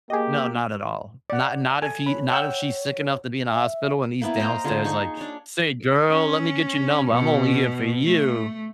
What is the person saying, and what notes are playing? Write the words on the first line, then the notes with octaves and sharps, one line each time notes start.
No, not at all, not not if he not if she's sick enough to be in a hospital, and he's downstairs like, "Say, girl, let me get your number, I'm only here for you."
A#3 G4 G#4 D#5
D5 F#5
A4 G#5
C#5 B5
F#5 G5 E6
E5
A#3 B3 E4
A#4 C5 D#5 A#5
D3 F4 G#4 C5
D#4 G#4 C#6
D4 C#5
C#4
B2
A3